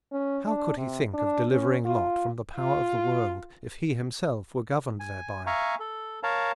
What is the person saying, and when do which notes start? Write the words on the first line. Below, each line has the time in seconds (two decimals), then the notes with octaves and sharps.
How could he think of delivering Lot from the power of the world, if he himself were governed thereby?
0.13 C#4
0.47 D4
0.77 C3
1.14 D4
1.51 C#4
1.85 F4
2.57 F4
5.00 G#5
5.47 E5 F5 G#5 A#5 C#6
5.80 A4
6.23 A#4 C#5 F5 A5 A#5